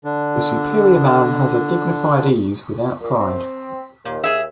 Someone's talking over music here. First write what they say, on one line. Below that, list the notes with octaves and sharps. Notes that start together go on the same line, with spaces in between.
The superior man has a dignified ease without pride.
D3 D4
A#2
C4
D#2 A#2
G#4 E5